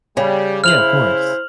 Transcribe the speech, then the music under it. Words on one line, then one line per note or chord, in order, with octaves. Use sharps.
Yeah, of course.
C#3 G3
E4 C5 F6 F7 F#7